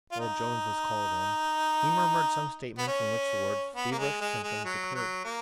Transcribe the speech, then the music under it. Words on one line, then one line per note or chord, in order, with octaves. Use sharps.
Old Jones was called in; he murmured some statements in which the words "feverish symptoms" occurred.
F4
D#4
B3
C#4
B3
A#3
G#3
G#3
G#3
F#3
F#3
A#3